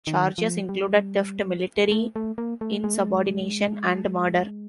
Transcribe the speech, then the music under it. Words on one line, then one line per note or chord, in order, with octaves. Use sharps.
Charges included theft, military insubordination, and murder.
D#3
F3
G3
A3
A3
A#3
A3
G#3
A3
G#3